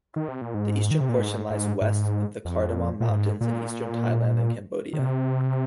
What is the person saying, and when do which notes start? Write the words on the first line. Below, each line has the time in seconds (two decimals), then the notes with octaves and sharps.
The eastern portion lies west of the Cardamom Mountains in eastern Thailand and Cambodia.
0.16 D#3
0.28 C3
0.42 A#2
0.54 G#2
0.91 D#3
1.01 C3
1.09 A#2
1.19 G#2
1.50 G#2
1.81 G#2
2.45 F2
3.00 A#2
3.09 G#2
3.41 A#2
4.93 D#3
4.99 C3